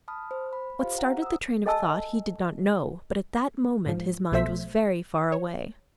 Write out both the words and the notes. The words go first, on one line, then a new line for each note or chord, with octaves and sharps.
What started the train of thought he did not know, but at that moment his mind was very far away.
A5 B5 D#6 F6
C5
B5
F4 G4 C5 F5
C5 F#5 A#5
D#6 E6
A4 D#5 G#5 A5 E6
G#2 F3
B1 B2 A3 C5 E5 B6
C#5